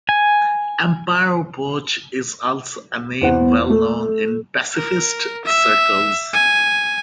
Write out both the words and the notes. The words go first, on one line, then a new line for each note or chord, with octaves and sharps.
Amparo Poch is also a name well known in pacifist circles.
G#5
E2 B3 C5 F#5
A3 A4
A#4
E5
G#5